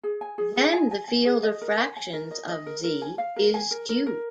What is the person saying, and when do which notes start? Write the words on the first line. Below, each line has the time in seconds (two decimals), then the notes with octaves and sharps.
Then the field of fractions of Z is Q.
0.04 G#4
0.21 G#5
0.38 G#4
0.56 G#4
0.73 G#5
0.91 G#5
1.08 G#5
1.26 G#4
1.43 D#5
1.62 A#4
1.78 G#5
1.97 G#5
2.13 A#4
2.31 D#5
2.49 D#5
2.66 A#4
2.84 A#4
3.02 G#5
3.18 F5
3.36 A#4
3.54 G#5
3.71 A#4
3.89 A#4
4.07 A#4